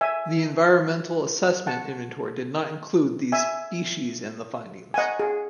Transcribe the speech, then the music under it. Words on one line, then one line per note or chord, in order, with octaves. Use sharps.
The Environmental Assessment inventory did not include these species in the findings.
E5 G#5
F#5 A5
E5 G#5
G#5
D#5 F#5
G#4